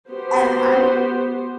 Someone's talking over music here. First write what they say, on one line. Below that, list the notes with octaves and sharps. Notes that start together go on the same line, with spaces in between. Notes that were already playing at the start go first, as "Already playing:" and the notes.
And I'm
B3 F#4 G4 C5